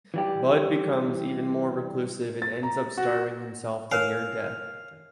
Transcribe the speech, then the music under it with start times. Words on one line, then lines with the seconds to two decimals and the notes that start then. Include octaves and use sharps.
Bud becomes even more reclusive and ends up starving himself to near death.
0.14 E3 G3 G4
2.42 A6
2.63 A#5
2.98 F#4
3.92 A#4 C#5 F5 G#5